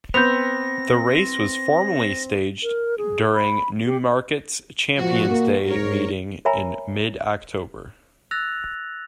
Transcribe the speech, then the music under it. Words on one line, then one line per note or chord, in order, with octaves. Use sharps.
The race was formerly staged during Newmarket's Champions' Day meeting in mid-October.
B3 C4 G6 A#6 F7
A#4
G#4
B5
G4
A#2 F3 F#4
A#3
G#2 A#4 C#5
A#4 C#5 E5 G#5 A#5 B5
E6 F#6 A6 A#6 F7